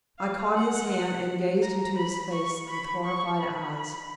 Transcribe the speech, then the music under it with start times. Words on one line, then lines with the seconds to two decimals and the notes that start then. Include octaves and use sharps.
I caught his hand and gazed into his face with horrified eyes.
0.19 F5
0.55 F#5
1.62 A#5
1.97 B5
2.33 C#6
2.68 B5
3.05 C#6
3.40 B5